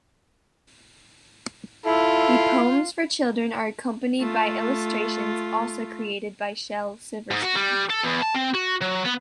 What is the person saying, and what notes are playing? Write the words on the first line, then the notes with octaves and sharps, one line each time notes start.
The poems for children are accompanied by illustrations also created by Shel Silverstein.
E4 F4 A4
A3 F4
G#2
F#4
G3
A4
E2
A5
C4
F#4
F#3
B3